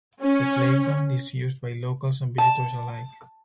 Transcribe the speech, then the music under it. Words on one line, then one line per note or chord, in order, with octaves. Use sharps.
The playground is used by locals and visitors alike.
C#4
A5